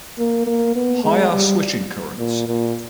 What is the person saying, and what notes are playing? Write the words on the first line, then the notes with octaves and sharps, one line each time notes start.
Higher switching currents.
A#3
A#3
B3
G#3
G3
A#2
A#2